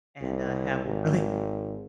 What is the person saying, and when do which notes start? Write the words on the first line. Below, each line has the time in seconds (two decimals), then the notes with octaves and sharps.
and, uh, have a really
0.22 C2
0.85 G#1